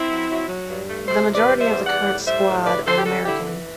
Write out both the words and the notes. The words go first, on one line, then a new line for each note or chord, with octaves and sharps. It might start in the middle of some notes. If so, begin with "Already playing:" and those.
The majority of the current squad are American.
Already playing: C4 E4
F#3
F#3
F#3
G2
A3
C3 A4 C5
E2
B4 D5
G3
C5 E5
E2
G3 D5 F#5
A2
G3 C5 E5
A2
D3 B4 D5
D3 A4 C5
G4
G3 F#4 A4
D3 E4 G4
E3